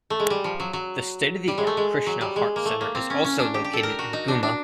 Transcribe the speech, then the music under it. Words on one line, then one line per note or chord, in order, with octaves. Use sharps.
The state-of-the-art Krishna Heart Center is also located in Ghuma.
A3
G#3
G3
F3
F#3
F#3
G3
G#3
A3
G#3
F#3
G3
G#3
A#3
A3
A#3
C4
C#4
C#4
D4
G4
G4
A4
A#4
F#4
D#4
D4
D4